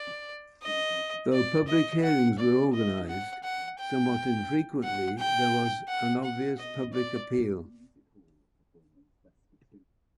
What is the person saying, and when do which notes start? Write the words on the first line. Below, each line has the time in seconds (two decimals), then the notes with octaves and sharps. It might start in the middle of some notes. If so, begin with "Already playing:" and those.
Though public hearings were organized somewhat infrequently, there was an obvious public appeal.
Already playing: D5
0.63 D#5
1.33 D5
1.68 D#5
2.03 F#5
2.38 D5
2.73 D#5
3.08 F#5
3.44 F#5
3.79 G5
4.84 F#5
5.18 G5
5.88 F#5
6.24 F#5
6.59 D#5
6.93 D5